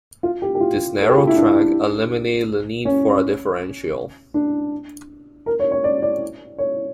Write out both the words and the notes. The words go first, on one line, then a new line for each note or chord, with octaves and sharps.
This narrow track eliminated the need for a differential.
F4
G4
G4
F4
A4
G4
F4
E4
D4
C#4
D4
A#4
C#5
C#5
D5
D5
C#5